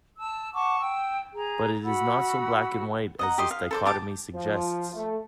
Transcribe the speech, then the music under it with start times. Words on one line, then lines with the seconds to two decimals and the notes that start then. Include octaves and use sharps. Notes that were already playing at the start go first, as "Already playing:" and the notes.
But it is not so black-and-white as this dichotomy suggests.
0.19 A5 E6
0.54 F#5 A5 C#6 D6
0.81 G5 E6
1.34 G#4 A#5
1.84 F#4 F#5 B5 E6
3.19 D#5 F#5 A#5
3.38 G4 D#5 C6
3.51 F5
3.71 A4 C5 D5
3.86 G4 A5 D6
4.33 F3
4.93 A3